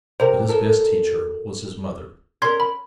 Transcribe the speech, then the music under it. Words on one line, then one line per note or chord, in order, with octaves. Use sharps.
But his best teacher was his mother.
C3 A#4 C5
F#2 A4 A#4
C#4 A#4 C6 G#6
B5